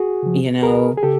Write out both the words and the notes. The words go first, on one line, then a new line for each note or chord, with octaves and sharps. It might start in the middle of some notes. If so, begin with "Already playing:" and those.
you know?
Already playing: F#4 G#4
C#3 F3
C#2 G#4 A#4
G#4
C#3 G4 A4